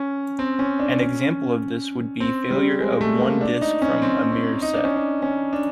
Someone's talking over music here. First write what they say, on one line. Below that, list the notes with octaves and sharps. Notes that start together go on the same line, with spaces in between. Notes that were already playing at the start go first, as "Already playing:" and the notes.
An example of this would be failure of one disk from a mirror set.
Already playing: C#4
C4
C#4
D4
C#4
C4
G3
G#3
A3
A#3
D4
D#4
C#4
C4
C#4
D#4
D4
C#4
D4
C#4
D4